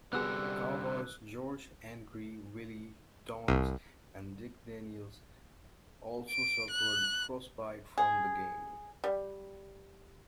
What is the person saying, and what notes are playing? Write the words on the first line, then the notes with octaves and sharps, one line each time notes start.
Cowboys George Andrie, Willie Townes, and Dick Daniels also suffered frostbite from the game.
C2 D3 G3 B3 F#4 G#4 E6 F#6
C2
D7
F#6
G#4
G3